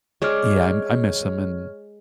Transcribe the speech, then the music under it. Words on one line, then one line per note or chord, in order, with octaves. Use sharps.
Yeah, I I miss him and
G#3 C#5 D5 F6